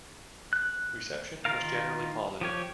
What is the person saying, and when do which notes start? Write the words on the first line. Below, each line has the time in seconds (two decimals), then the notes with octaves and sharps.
Reception was generally positive.
0.53 F#6
1.45 D#3 F4 A#4 F5
2.41 F3 G4 C#5